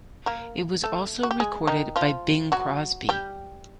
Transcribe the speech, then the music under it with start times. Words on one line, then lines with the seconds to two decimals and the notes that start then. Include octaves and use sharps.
It was also recorded by Bing Crosby.
0.26 A#3 A#4
0.84 A3 A4
1.23 F#4
1.31 G4
1.40 G#3 G#4
1.67 D#3 D#4
1.96 F3 F4
2.52 F#3 F#4
3.09 G3 G4